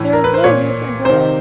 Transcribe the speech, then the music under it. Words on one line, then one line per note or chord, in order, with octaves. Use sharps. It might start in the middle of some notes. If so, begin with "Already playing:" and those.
There is no use in delay.
Already playing: A2 E3
A#4
B4
C5
A#2 C#5
C3 D#3 C5